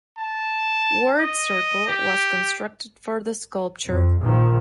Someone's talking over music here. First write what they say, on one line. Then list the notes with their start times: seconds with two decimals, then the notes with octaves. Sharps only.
Ward Circle was constructed for the sculpture.
0.18 A5
1.19 D#5
1.88 G4
3.87 F2
4.21 A#1 D#3 F3